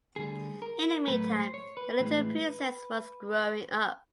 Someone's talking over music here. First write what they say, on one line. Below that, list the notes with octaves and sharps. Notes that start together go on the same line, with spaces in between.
In the meantime, the little princess was growing up.
D2 D3 G3 G#4
A#4
A2 F#3 A3 B4
C5
C#5
B4
A2 E3 G#3